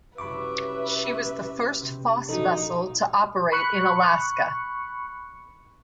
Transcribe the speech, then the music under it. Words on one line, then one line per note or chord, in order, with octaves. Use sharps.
She was the first Foss vessel to operate in Alaska.
C2 F#2 B4 E5 B5 C#6 D6
C3 B3 C4
A#1 D#4 F#4 A4 B6
B5 C#6 F#6 C#7